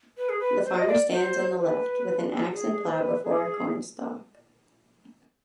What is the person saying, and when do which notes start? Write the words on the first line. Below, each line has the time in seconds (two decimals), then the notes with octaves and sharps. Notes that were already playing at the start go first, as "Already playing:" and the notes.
The farmer stands on the left with an ax and plow before a cornstalk.
0.18 B4
0.29 G#4
0.40 B4
0.65 C5
0.78 D#5
0.88 D5
1.12 C5
1.59 B4
2.52 G#4
2.91 C5
3.00 B4
3.23 G#4